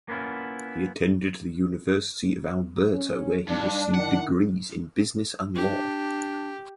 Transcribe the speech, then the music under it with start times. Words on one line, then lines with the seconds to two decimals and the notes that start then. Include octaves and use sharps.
He attended the University of Alberta where he received degrees in business and law.
0.08 A#3 B3 C#4 E4 F4
2.94 C#4
3.48 G2 D4 D#4
3.94 D#3 E4 F#5
5.55 D4 G4